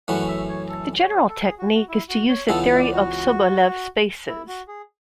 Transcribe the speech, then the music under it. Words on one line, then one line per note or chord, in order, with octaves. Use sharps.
The general technique is to use the theory of Sobolev spaces.
F#2 E3 A3 C#4 F#5
E5
C#5
A4
C#5
A4
G#4
F#4
F#4
E4
F#4
C#5
C#2 C#3 E3 B3 A4
E5
D5
F#4
E4
F#4
G#4